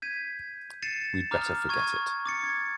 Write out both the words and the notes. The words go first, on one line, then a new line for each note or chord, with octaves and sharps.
We'd better forget it.
G6 G#6 B6 D#7
A6 C7 C#7 D#7 E7
A#5 D6 D#6 F6 G6
C#6 G#6 D#7
D6 A6 C#7
G#6